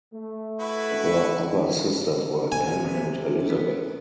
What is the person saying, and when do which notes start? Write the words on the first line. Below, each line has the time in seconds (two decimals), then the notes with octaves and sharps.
Her other sisters were Anne and Elizabeth.
0.13 A3
0.59 E4 F#4 B4
2.52 C3 G#5
2.85 E2 B2 B3
3.50 B3